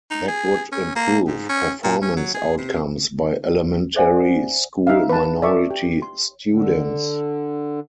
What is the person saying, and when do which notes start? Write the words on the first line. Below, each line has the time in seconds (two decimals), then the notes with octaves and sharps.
That would improve performance outcomes by elementary school minority students.
0.11 D#4
0.28 G#4
0.72 C#4
0.96 A#3
1.27 G#2
1.49 C#4
1.84 A#2
2.02 C#4
2.17 F#3
2.34 G#4
2.58 C3
3.96 A4 C5 D5 E5 F#5 G#5
4.87 D#4 E5 F5
5.09 B4 A5
5.42 D5 E5 C#6
5.71 G4
6.02 C6
6.50 D3